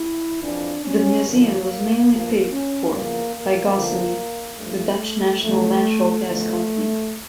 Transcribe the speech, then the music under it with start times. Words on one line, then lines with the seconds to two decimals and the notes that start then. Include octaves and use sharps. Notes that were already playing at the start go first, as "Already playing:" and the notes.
The museum was mainly paid for by Gasunie, the Dutch national natural gas company.
Already playing: E4
0.42 F2 E3 D4
0.84 C#4
1.26 G2 D3 F3 A#3
2.08 G2 F3 A#3
2.51 C#4
2.92 E2 C#3 F3 A#3
3.34 A#3
3.75 E2 D3 F3
4.58 G2 F3 A3
5.41 F2 C#3 F3 A3
6.25 E2 D3 F3 A3